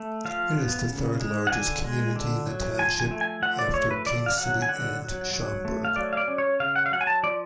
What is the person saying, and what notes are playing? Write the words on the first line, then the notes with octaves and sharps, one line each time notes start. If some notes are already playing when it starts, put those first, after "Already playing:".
It is the third-largest community in the township, after King City and Schomberg.
Already playing: A3
F3 F5
B3
C#3
G#3
F#5
D3 G#5
G#3
D3
F#3
F3 G#5
G#5
A3
G#5
F3 F#5
D5
A3 C#5
B4
D3 D5
F5
F#3 F#5
G#5
D3 F#5
F#3
F#3
A3
F5
F#3 D5
F5
D5
C#4
C#5
C#3 F5
F#5
F5
F#3 F#5
G#5
A5
F3 D5